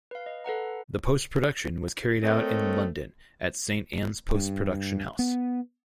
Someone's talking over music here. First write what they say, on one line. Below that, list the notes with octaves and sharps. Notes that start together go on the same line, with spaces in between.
The post production was carried out in London at Saint Anne's post production house.
B4 F5
D#5
A4 B4 F#5 A#5
A3 C4 A#4 C#5 D#5
G2
B3